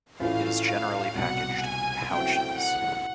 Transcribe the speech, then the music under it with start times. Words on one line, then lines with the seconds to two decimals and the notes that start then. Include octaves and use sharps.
It is generally packaged in pouches.
0.20 A2 E3 A3 C#4 F4 F5
1.15 C2 B2 G3 F#5
1.62 G#5
2.10 C#3 F#3 A3 C4 E4 G5
2.57 F#5